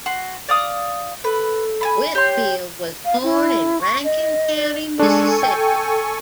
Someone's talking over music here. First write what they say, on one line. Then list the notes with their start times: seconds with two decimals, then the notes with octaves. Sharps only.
Whitfield was born in Rankin County, Mississippi.
0.06 F#4 C6
0.48 D5 F5 D#6
1.24 A4 B4
1.81 G#5 A5 B5
2.15 G4 C#5 C6
3.05 F5
3.23 E4
3.81 C#6
4.04 D#5
4.56 D5
4.99 G#3 D4 A4 G#5 C#6
5.43 G5